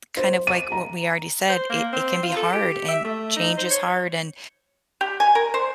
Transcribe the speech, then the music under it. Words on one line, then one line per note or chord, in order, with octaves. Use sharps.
kind of, like, what we already said, it it can be hard, and change is hard and,
C5
D#7
A#5
C5
A#3
C4
F4
A4
G4
E5
A3
D#4
C5
C#5
G4
G#5
A#4
C5